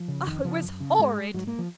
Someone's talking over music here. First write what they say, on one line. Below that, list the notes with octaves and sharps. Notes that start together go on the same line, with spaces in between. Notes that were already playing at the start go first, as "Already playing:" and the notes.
Oh, it was horrid!'
Already playing: F3
C#3
F2 D#3
C#3 F3
F#2
C#3
G#2 G#3
G#2 F#3
A#3
F3